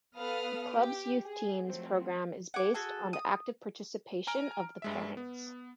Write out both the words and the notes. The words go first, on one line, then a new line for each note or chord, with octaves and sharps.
The club's youth team's programme is based on the active participation of the parents.
B3 A4 B4 F5 D#6 F6
G4
G#4
F3 F#3 A3 C4
F#5 G#5 D6
F#4 G#4 A4
D#6
G#5 A#5 F6 D7
G2 G#3 E5
B3